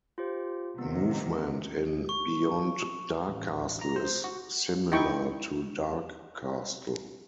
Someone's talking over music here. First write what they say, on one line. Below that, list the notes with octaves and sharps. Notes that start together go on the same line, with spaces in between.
Movement in "Beyond Dark Castle" is similar to "Dark Castle".
F4 G4 C5
C3 D#3 B3
C#6
A1
A#5
C5
F#4
D#4 E4 G5 C#6